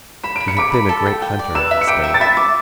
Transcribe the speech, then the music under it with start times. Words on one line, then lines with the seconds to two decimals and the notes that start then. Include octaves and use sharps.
He had been a great hunter in his day.
0.24 B5 E7
0.36 B5 D7
0.48 C#7
0.57 B5 D6 D7
0.74 B5
0.89 A4
1.06 G5
1.22 G5
1.39 D5
1.55 B4 E6 E7
1.71 E5
1.81 C#7
1.87 G5 D6 D7
2.04 E5
2.14 A6
2.20 E5 B5 B6
2.37 D6